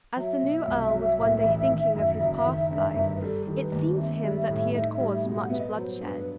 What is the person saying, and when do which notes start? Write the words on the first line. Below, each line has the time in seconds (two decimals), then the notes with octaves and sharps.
As the new earl was one day thinking of his past life, it seemed to him that he had caused much bloodshed.
0.16 F#3 E5
0.43 B2
0.67 C2
0.93 F#3
1.19 A2
1.44 A1
1.69 D#3
1.95 F#2
2.20 F#1
2.46 D#3
2.71 G2
2.95 G1
3.16 B4
3.22 G3 A4
3.42 G4
3.47 D#3 A4
3.59 B4
3.72 D#2
3.98 C4 E5
4.23 G3
4.49 A2
4.74 D#4
4.99 G3
5.25 B2
5.40 F#5
5.50 B3 E5
5.60 D#5
5.69 C5
5.76 F#3
5.88 C5
6.01 G2
6.07 B4
6.19 B4